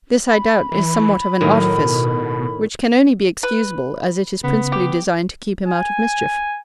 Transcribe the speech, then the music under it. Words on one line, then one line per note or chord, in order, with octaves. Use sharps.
This, I doubt, is somewhat of an artifice; which can only be excusable, as it is principally designed to keep him out of mischief.
B5
E3
A2 D#3 F#3
B2
B4
C#3 B3
G4
G#5